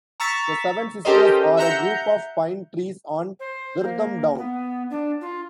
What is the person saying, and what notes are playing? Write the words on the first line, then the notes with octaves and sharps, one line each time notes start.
The "Seven Sisters" are a group of pine trees on Durdham Down.
A#5 C#6 E6 A6 B6
C#4 G4 A4 A#4 C5 D#5
E5 F#5 A#5 G6 C#7
C5
A#3
B3
D4
F4